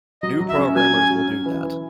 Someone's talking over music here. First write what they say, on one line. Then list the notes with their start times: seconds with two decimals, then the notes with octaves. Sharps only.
New programmers will do that.
0.22 F#3 D#5
0.41 F#3
0.49 E5
0.58 C#4
0.76 F#3 G#5
0.93 C#4
1.10 F#3
1.28 C#4
1.46 E3
1.63 E3